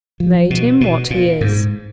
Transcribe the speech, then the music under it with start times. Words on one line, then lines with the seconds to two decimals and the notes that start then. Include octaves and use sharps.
Made him what he is!
0.20 F3
0.50 B2
0.81 B2
1.11 A#2
1.41 G#2